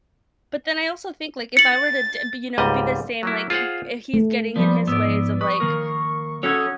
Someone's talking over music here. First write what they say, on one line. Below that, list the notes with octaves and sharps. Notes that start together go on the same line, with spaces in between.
But then I also think, like, if I were to d be, you know, be the same, like, g he's getting in his ways of, like,
A6 C#7 F#7
C#2 G#2 G3 D5 D#5
F#3 A#3 E4
F4 G#4 C5 F5 F#5
A3
F3 G3 B3 D5
G#2 B3 D5 E6
B4 C#6 D#6
D#3 A#3 A#4
C#4 F#4 A4 C#5 D#6 G#6